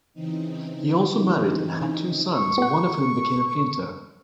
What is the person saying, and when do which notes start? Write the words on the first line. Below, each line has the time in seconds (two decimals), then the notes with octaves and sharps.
He also married and had two sons, one of whom became a painter.
0.14 C#3 E3 C4 D#4
2.35 C#6
2.58 B3 F#5